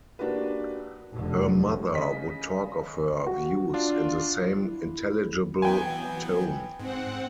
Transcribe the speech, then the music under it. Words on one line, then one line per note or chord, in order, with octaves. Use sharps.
Her mother would talk of her views in the same intelligible tone.
A#3 D4 F#4 G4 B4
F1 D3
C#3 D#5 B6
F#4
D4 F4
E4
E3 F#3 B3 G5 G#5
G#2 C4 F#5